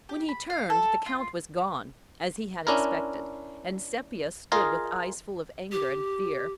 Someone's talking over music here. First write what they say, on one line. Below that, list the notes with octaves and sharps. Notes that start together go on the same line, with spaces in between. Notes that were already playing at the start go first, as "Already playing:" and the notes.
When he turned, the Count was gone, as he had expected, and Sepia stood with eyes full of anger and fear.
G4
B5
F5
A4
F4
C#4 D4 E4 A#4
F4 G#4 A#4 D#5 F5
G4